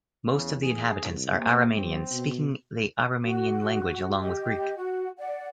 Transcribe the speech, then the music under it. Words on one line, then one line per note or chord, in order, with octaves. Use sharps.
Most of the inhabitants are Aromanians, speaking the Aromanian language along with Greek.
E2 C#3
G#4
C2
C3 A#3
F#3 C4
B2
F#4
G4 D#5
F#4
D5 F#5